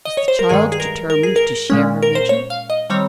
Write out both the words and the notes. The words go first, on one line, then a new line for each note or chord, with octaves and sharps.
Was the child determined to share her vigil?
D#5
C#5
C5
A#4
G2 D#3 G#3 G#4
G#4
A#4
A#4
G#4
A#4
A#2 G#3 C#4
A#4
C5
C#5
F5
D#5
D#3 G3 C4 C#5